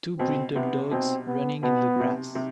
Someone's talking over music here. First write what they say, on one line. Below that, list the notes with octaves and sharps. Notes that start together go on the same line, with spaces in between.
Two brindle dogs running in the grass.
B2 C4
C3 B3
B2 C4
B3
B2 B3
C3
C3